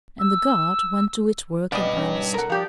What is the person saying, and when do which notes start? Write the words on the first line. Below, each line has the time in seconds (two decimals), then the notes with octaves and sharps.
And the Guard went to its work in earnest.
0.20 E6
1.72 B2 G3 B4 D5 D#5 F5
1.97 C#4 D#4
2.34 A4 A#4 F#5
2.50 F3 G4 D5